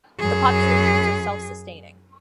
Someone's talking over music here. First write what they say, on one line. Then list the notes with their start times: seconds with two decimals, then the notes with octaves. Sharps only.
The populations are self-sustaining.
0.19 F#2 G#4